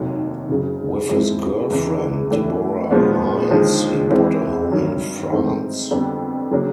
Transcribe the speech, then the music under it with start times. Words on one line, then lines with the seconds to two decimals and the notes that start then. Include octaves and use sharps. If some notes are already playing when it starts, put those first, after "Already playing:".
With his girlfriend Deborah Lines, he bought a home in France.
Already playing: F1 D#2 D#3 F#3
0.49 F#1 F#2 C#3 F#3
1.09 G#2 F3 G#3 C4 E4
1.70 E2 C#3 E3
2.30 A2 E3 A3 D4
2.91 A#2 F3 G#3 B3 D4
3.51 D#2 D3 F3 G#3
4.10 E3 G#3 C4 E4
4.71 G2 D#3 F#3
5.31 G#2 E3 A3 C4 D#4
5.91 F2 D3 G3 B3 D4
6.51 C#3 F#3 A#3 D4